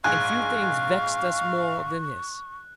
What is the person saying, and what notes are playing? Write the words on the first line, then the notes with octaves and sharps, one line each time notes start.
And few things vexed us more than this.
A#1 G#2 F5 G#5 C#6 F#6